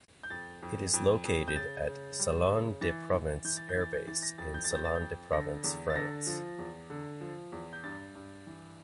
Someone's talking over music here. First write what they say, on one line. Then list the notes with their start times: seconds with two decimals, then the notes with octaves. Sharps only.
It is located at Salon-de-Provence Air Base in Salon-de-Provence, France.
0.23 G6
0.30 F2 A6
0.63 F2
0.94 F2
1.25 F2
1.48 G6
1.56 C#3 A6
1.87 C#3
2.19 G3
2.50 C#3
2.81 E3 A6
3.13 E3
3.44 E3 G6
3.57 A6
3.69 G6
3.76 E3 A6
3.93 G6
4.07 E3 A6
4.23 A#6
4.38 F2 A6
4.54 G6
4.64 A6
4.71 F2 G6
4.85 A6
4.95 G6
5.01 F2
5.33 D3 A#6
5.64 E2
5.90 A6
5.95 D3 A#6
6.27 F3
6.59 E2
6.90 D3
7.21 F3
7.52 E2
7.73 G6
7.84 G2 A6
8.15 G2
8.47 E3